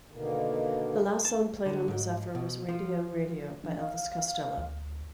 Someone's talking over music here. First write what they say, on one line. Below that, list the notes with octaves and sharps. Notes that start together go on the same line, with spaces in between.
The last song played on The Zephyr was "Radio, Radio" by Elvis Costello.
B2 D3 D#3 A#3
A5
D3
G#2
B2
F3
F3 D4
F5
D2